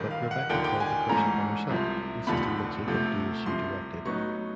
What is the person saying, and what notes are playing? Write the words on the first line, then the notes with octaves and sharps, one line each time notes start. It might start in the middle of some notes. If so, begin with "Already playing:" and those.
But Rebekah called the curse upon herself, insisting that Jacob do as she directed.
Already playing: G1 G2 D#3
F5
F#5
D#2 D3 F3 A#3 G5
G5
G#5
G#2 E3 A3 C#4 A#5
C2 C3 F3
F1 D#2 D3 F3 A3 B5
D2 C3 F3 A3
C2 C3 F3 C6
A2 F#3 B3 D#4 C#6